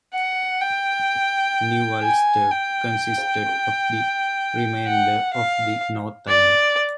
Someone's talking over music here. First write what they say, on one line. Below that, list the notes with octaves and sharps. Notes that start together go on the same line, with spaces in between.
New Ulster consisted of the remainder of the North Island.
F#5
G5
G#5
G5
F#5
F5
D5